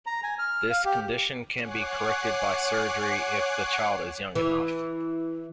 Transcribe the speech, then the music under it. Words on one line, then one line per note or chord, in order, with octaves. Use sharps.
This condition can be corrected by surgery if the child is young enough.
A#5
G#5
F6
F5
G4
C#5 F#5 G#5 D6 F#6 C7
E3